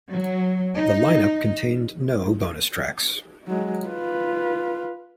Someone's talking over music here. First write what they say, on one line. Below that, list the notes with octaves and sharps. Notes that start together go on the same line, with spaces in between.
The lineup contained no bonus tracks.
F#3
D#4
F#3 G#3
F4 B4